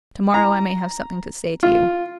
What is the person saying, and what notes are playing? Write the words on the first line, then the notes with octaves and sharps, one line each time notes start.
To-morrow I may have something to say to you....
A#5
F4